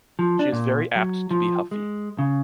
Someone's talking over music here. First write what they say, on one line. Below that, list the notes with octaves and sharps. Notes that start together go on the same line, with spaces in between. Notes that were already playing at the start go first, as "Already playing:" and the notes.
She is very apt to be huffy.
F3
D4
A#2
F#3
F3
G#3
C#3